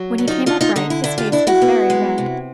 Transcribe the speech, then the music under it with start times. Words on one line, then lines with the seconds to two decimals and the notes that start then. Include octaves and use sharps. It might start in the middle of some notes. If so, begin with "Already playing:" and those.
When he came upright his face was very red.
Already playing: F#3
0.18 D3
0.28 D#4 F4
0.46 D3 D#4 F4
0.61 D#4 F4
0.76 D3 D#4
0.90 E4
1.04 D4 E4
1.18 F4 G4
1.32 D4 E4
1.47 E4 F#4
1.61 B3
1.90 G#3
2.18 C3